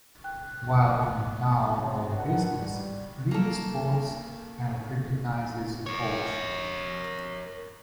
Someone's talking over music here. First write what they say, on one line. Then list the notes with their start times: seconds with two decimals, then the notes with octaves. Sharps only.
While in town on business, Clint spots and recognizes the horse.
0.24 G5 F#6
1.81 C4 F#4 G#4 C#5
2.15 D3 D#4 A#4 B4 F#5
2.56 G3
3.31 A#3 A4
5.86 A#4 C#5